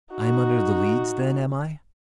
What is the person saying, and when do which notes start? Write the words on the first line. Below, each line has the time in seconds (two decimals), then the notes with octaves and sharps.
"I am under the Leads, then, am I?"
0.14 D#4 F#4